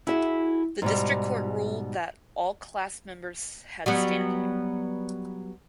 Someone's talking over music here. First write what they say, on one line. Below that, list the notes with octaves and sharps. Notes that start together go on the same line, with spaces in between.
The District Court ruled that all class members had standing.
E4 F#4 G#4 E5
G#2 B2 G3
F#3 G3 B3